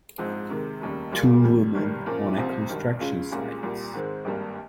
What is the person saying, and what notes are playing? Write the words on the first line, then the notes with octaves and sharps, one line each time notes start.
Two women on a construction site.
A#1 G#2 F3 C4 D#4
C3 D#3 G#3
F1 D#2 C#3 G3
A#2 G3 A#3 F4 G#4
F2 D#3 G3
G1 G2 D#3 G3
A#2 F3 A#3 C#4
C2 C3 F3 C4 F4
G#1 G2 D#3 G3
C#2 C#3 G#3 C#4 F4
C2 A#2 G#3 C#4 F4
C2 A#2 G3
G#2 D#3 G#3 C4
G#1 G2 G3 A#3